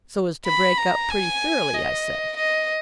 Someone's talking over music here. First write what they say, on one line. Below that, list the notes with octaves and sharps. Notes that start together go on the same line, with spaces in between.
"So as to break up pretty thoroughly?" I said.
B5
A#5
G#5
D#5
D#5